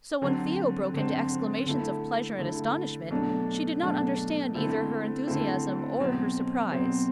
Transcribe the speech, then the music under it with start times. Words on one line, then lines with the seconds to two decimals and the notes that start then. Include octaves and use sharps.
So when Theo broke into exclamations of pleasure and astonishment, she did not understand either her enthusiasm or her surprise.
0.22 D3 F#3 C4
0.94 D3 F#3 C4
1.66 D3 A3 E4
2.38 D3 A3 E4
3.11 B2 F#3 A3 D4
3.82 B2 F#3 A3 D4
4.55 D3 A3 C4 E4
5.27 D3 A3 C4 E4
5.99 B2 F#3 C4
6.72 B2 F#3 C4